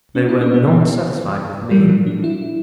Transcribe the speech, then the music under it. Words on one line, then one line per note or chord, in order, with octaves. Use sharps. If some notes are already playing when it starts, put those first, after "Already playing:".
They were not satisfied with me.
C#4
E4
D4
B3
E3
G3
E3
F#3
D4
E4